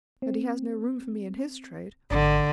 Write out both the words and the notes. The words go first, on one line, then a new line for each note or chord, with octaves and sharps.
And he has no room for me in his trade.
C4
G#1 D3